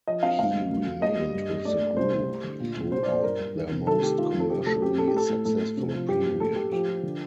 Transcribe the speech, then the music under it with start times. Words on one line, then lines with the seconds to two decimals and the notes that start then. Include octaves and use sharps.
He remained with the group throughout their most commercially successful period.
0.08 F3 D#5
0.22 C4 F5
0.38 D2 F5
0.55 D2
0.70 D2
0.86 D2
1.02 A#3 D#5
1.18 G3
1.34 G2
1.50 G2
1.65 A3 D5
1.81 A3
1.97 C2 C5
2.13 G3
2.29 A3
2.44 D3
2.60 A#2
2.76 C2
2.92 A#2 C5
3.03 D5
3.08 A#2 C5
3.23 G2 A#4
3.40 G2
3.55 D#3
3.71 C3
3.87 D#3 A4
4.03 A3 G4
4.18 D#3 F4
4.35 F2
4.40 A4
4.50 C3 G4
4.66 D2 A4
4.82 C4 G4
4.98 A#2 A4
5.08 G4
5.14 A2 A4
5.29 A2
5.45 A2 A4
5.61 A2
5.77 C3
5.93 F3
6.09 G2 G4
6.25 A#3
6.40 A2 A4
6.56 A2 G4
6.71 F3 G4
6.88 F3
7.03 D3